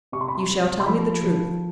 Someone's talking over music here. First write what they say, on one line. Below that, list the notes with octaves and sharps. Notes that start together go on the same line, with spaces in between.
"You shall tell me the truth."
C3 C#6
C6
B5
C6
C3
C6
F3 B5
F3